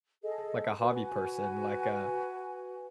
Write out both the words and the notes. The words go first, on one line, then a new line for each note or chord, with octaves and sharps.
like, a hobby person, like, uh,
G#4 A4 D#5
F#4 B4 G#5